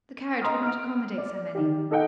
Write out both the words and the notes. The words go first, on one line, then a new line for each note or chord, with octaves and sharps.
The carriage would not accommodate so many.
D#5 A#5 C6 D#6 F6
F6 D7
D5
D#3 G4
D#4 A4 D#5 F#5 G5